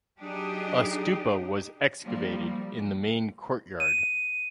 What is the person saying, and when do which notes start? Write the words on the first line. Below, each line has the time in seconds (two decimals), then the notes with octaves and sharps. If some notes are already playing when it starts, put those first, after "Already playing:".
A stupa was excavated in the main courtyard.
0.20 F#3 D4 D#4 G4 G#4 D#5
2.04 F3 G3 A#3
3.80 D#7